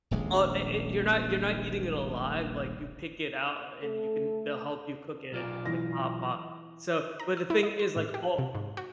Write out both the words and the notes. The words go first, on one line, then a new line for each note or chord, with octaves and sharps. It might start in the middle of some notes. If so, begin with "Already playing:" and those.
Oh, e eh, you're not you're not eating it alive, like, you pick it out and you can they'll help you cook it, it's like hot pot. So but the thing is, like, o
D#1 A#1 G#3
A3 A4
B1 F4 D5
E3 A#6
A#5
E6
E4
D#5
C6
A2
G4
C3
G#2
F#4